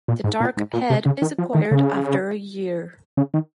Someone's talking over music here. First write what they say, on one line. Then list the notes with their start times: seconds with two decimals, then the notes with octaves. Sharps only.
The dark head is acquired after a year.
0.08 A#2
0.24 G#2
0.40 A#2
0.57 G#2
0.74 A#2
0.90 C3
1.06 C#3
1.22 D#3
1.39 F3
1.55 D#3
1.71 C#3
3.17 C#3
3.34 D#3